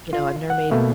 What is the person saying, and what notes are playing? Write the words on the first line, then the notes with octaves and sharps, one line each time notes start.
you know, I've never made
F4
F#5
B2 A3 A#3